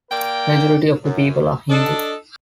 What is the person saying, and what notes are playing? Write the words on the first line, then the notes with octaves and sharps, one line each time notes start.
Majority of the people are Hindu.
A#3 A#4 D5 F5 G5
F#2
D4 A4 D#5